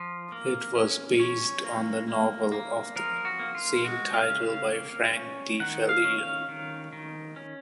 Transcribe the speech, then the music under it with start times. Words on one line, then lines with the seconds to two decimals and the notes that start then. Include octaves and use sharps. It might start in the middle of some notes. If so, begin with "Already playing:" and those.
It was based on the novel of the same title by Frank De Felitta.
Already playing: F3
0.32 A#3
0.75 C#4
1.19 C#4 C#5
1.64 A#3
2.08 A#3
2.52 A#3
2.96 F3 A#4
3.25 F#4
3.39 A#3
3.55 F4
3.84 G#3 F#4
4.14 F5
4.28 C#3
4.43 F5
4.71 A#3
5.16 C#4
5.60 D#3 F#5
5.89 F5
6.05 C#4
6.19 F5
6.49 D#3
6.93 D#3
7.36 C#4